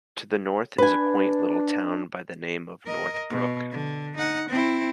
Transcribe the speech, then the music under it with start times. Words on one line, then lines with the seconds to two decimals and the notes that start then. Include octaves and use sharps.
To the north is a quaint little town by the name of Northbrook.
0.78 D4 B4 G#5
2.86 A#4 D#5
3.30 B2
3.71 D3
4.16 D#4 F#5
4.49 C4 E4